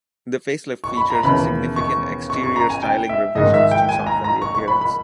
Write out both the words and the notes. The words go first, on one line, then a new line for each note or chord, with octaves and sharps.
The facelift features significant exterior styling revisions, to soften the appearance.
C#6
B5
A#5
E1 D#2 C#3 E3 B5
C#6
C#6
C#6
A#5
G#5
G5
E5
A#1 G#2 D#3 D#5
E5
G5
G#5
A#5
A#5
C#6
C#6
B5
B5